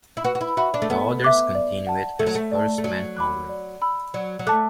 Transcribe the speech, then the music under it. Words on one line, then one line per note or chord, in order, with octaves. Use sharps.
The others continued as First Man Over.
E4
F#4 B4
F#4
E4
F#4 E5 B5
D4
A3
B3 A4
E5 D6 F#6
D5
F#5 A5
A3 A4
F#3
A3
D5 A5
A3
F#3 D5
B5 D6 F#6
D5
B5 E6
F#3 D5
F#3
A3 A5 D6 F#6